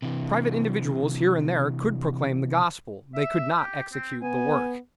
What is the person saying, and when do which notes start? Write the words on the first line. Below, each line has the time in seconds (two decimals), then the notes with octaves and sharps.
Private individuals here and there could proclaim the gospel; they could not execute the work.
0.02 C3 E3
3.14 E5
3.57 G4
3.92 C4
4.22 B3 G#5